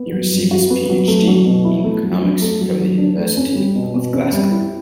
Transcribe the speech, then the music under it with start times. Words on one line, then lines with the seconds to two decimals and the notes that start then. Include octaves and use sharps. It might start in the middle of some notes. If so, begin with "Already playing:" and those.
He received his PhD in economics from the University of Glasgow.
Already playing: B3
0.13 F#3
0.32 G2
0.51 F#4
0.70 B3
0.90 F#3
1.08 A3
1.27 F#3
1.46 B2
1.65 E4
1.84 A3
2.04 F#3
2.22 D4
2.42 A3
2.61 F#3
2.80 F#3
2.98 D4
3.17 A3
3.37 C#4
3.55 G3
3.75 B2
3.94 B2
4.13 C#4
4.33 G3
4.52 E4